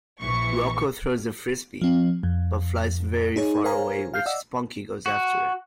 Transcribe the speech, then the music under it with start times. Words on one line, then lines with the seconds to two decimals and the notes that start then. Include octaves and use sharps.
Rocko throws the frisbee, but flies very far away which Spunky goes after it.
0.20 A#1 E3 C#6
1.82 F3 C4
2.23 F2
3.36 D#4 G#4 C#5
3.64 A#4 C5 C#5 F5 G#5 A#5
4.14 F5 F6 G6 C7
4.26 D5 D#5 F#5 E6
5.06 F#4